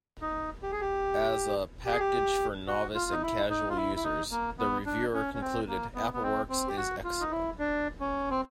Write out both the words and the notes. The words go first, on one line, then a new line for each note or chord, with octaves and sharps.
As a package for novice and casual users, the reviewer concluded, "Appleworks is excellent".
D#4
G4
G#4
G4
G4
G#4
G4
F#4
F4
D#4
E4
D#4
F4
E4
E4
D#4
A#3
B3
D4
C#4
C#4
C4
A#3
B3
B3
C4
C4
G4
F#4
F4
D#4
E4
D4
C#4
C4